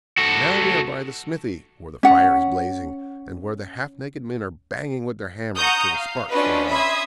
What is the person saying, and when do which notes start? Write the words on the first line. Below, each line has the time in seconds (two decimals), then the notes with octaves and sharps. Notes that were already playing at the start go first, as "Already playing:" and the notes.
And now we are by the smithy, where the fire is blazing, and where the half-naked men are banging with their hammers till the sparks fly about.
0.18 F#4 A4
2.03 C#4 F#5
5.57 F#5 A#5 C#6 D#6 G6
5.94 F5
6.29 C#4 D4 F4 F#4 B4 D#5
6.70 E5 B5 C6 D#6 G#6